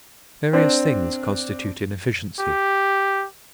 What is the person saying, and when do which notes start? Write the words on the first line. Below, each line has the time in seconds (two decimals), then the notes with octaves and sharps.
Various things constitute inefficiency.
0.53 C4 D4
2.39 G4